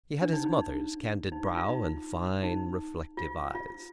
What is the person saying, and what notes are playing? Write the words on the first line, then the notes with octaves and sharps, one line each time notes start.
He had his mother's candid brow and fine, reflective eyes.
D4
D#4
D#4
D#4
F4
F4
D#4
D#4
F4
F4